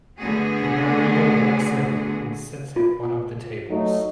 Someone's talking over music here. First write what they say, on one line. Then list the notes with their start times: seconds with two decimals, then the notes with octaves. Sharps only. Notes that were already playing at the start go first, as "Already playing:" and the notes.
The narrator walks in and sits at one of the tables.
0.18 D3 A3 B3 F#4 G#4
2.76 F4
3.70 F#3 A3 D#4